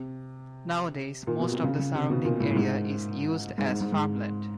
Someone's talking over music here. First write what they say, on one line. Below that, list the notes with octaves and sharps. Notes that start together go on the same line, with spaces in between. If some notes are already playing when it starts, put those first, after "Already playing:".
Nowadays most of the surrounding area is used as farmland.
Already playing: C3
A#2
B2
C3
C#3
C#3
C3
B2
A#2
A2
A2
G#2
G#2
G#2
G#2
G#2